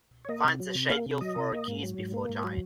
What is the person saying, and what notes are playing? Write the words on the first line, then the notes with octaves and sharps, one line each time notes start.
Find the schedule for A Kiss Before Dying.
C#5
A#3 D#5
C3
F#3
C3
A#3 F5
C3
F#3 D#5
C3
A#3
G#2
F#3
G#2
A#3
G#2
F#3